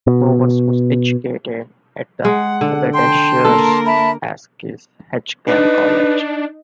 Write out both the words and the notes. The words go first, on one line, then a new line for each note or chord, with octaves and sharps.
Bowes was educated at Haberdashers' Aske's Hatcham College.
B2
G#3 F#5
D3
G5 A5 C6
A#3 A4 A#4
E5 A5 B5
D4 D#4 B4